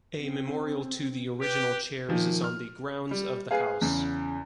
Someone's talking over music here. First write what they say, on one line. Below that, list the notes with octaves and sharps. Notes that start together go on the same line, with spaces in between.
A memorial to the original chairs is on the grounds of the house.
C4
G4 B4
A#2 D#3 F3
F6
G3
G#4 B4 F5
E2 C#3